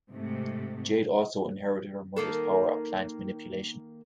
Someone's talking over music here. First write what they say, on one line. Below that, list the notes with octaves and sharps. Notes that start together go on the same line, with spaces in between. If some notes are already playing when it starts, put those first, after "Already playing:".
Jade also inherited her mother's power of plant manipulation.
G#2 C3 A3
D#3 A#3 A4